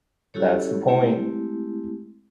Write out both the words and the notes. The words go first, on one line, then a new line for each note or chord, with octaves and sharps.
That's the point.
C#4 E4 F#4 G4 A4 C#5
G#3 A3 C4 E4 G4